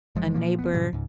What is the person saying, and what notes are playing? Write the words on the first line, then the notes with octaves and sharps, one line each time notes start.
a neighbor.
F#1 F3 G#3
A#2 F3 A#3
F1 D#2 B3
G2 A#2 C#3 F#3
C#2 G#2